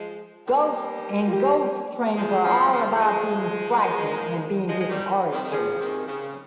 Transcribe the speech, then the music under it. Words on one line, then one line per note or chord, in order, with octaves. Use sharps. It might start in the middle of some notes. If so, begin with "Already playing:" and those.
Ghosts and ghost trains are all about being frightened and being disorientated.
Already playing: F3 G#3
G3 A#3
F4
G4
F3 G#3 G#4
C#3 F3
C#3 F3
F3 G#3
A#4
F3 G#3
G#3
D#3 G3
C3 D#3
D#3
C#3 F3 G#4
C3 D#3
C#3